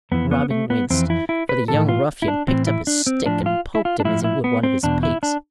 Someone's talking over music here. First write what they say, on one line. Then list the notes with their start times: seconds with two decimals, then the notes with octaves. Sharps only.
Robin winced, for the young ruffian picked up his stick and poked him as he would one of his pigs.
0.12 F2 E3 B3
0.31 B3
0.51 A3
0.70 B3
0.90 F2 E3 C4
1.10 E4
1.29 E4
1.49 B4
1.68 A2 E3 A4
1.89 F4
2.22 E4
2.28 D4
2.47 A2 E3 C4
2.67 E4
2.87 D4
3.07 C4
3.26 A2 F3 D4
3.46 F4
3.75 E4
3.85 F4
4.00 D4
4.05 A2 F3 E4
4.24 E4
4.44 B3
4.63 C4
4.83 E2 B2 D4
5.03 E4
5.23 D4